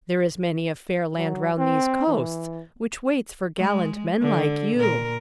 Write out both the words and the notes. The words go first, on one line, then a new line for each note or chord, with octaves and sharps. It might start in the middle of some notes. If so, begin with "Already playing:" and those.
There is many a fair land round these coasts, which waits for gallant men like you.
F#3
C4
E3
G#3
D3
A#2 A#4